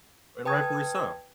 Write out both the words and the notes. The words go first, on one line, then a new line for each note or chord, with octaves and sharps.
And rightfully so.
B4 G5 A5 D#6 G#6